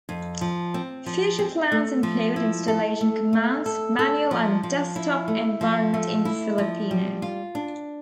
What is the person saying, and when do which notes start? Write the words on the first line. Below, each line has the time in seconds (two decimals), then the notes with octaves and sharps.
Future plans include installation commands, manual and desktop environment in Filipino.
0.09 F2
0.41 F3
0.74 C4
1.06 F3
1.39 C4
1.72 A3
2.03 F3
2.36 E4
2.68 A4
3.01 A3
3.33 A3
3.66 A4
3.99 A4
4.31 F3
4.63 F3
4.96 E4
5.28 A3
5.61 F3
5.94 A3
6.25 E4
6.58 F3
6.91 G3
7.22 F4
7.55 D4